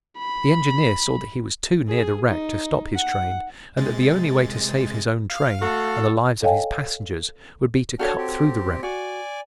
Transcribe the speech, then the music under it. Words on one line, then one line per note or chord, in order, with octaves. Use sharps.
The engineer saw that he was too near the wreck to stop his train and that the only way to save his own train and the lives of his passengers would be to cut through the wreck.
B5
G#4
D#4
F#5
C3 G#3 A6
F5
A3 F#4 A4
A4 C#5 D#5 F5 G5 G#5
D4 F#4 A4 C#5 G5 F6
C4 G4
F#4 D5 G#5